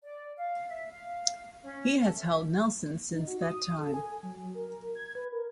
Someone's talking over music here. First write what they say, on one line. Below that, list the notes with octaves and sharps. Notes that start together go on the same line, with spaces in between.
He has held Nelson since that time.
D5
F5
E5
F5
C#4
A4
E5
D#4
F#4
D#6
A4
G#5
F#3
A#4
G#6
B4
A#4